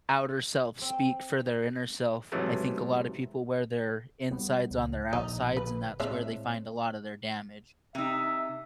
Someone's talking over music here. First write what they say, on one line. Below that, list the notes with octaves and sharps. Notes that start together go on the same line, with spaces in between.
outer self speak for their inner self, I think a lot of people wear their insides on their outsides, and that's where they find a lot of their damage.
C4
G#2 C3 E3 F#3 G#3 A3
G3 B3
C#2
A#1 D3 D#4
B4
A2 G#3 C4 E5
C3 D#4 E5